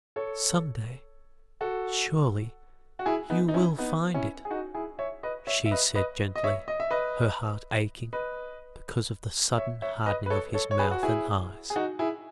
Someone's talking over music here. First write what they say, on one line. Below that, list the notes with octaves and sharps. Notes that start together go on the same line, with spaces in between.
"Some day--surely--you will find it?" she said gently, her heart aching, because of the sudden hardening of his mouth and eyes.
A4 C#5
F#4 A4
F#4
E4 G#4
B3 D#4
D#4
C#4 E4
B3 D#4
C#4 E4
G#4
D#4 F#4
E4 G#4
C#5 E5
B4 D#5
C#5 E5
E5
B4 D#5
B4 D#5
D#5
C#5 E5
D#5
E5
B4 D#5
B4 D#5
C#5 E5
C#5 E5
B4 D#5
B4
A4 C#5
A4 C#5
C#5
G#4 B4
F#4
E4 G#4
G#4
D#4 F#4
E4 G#4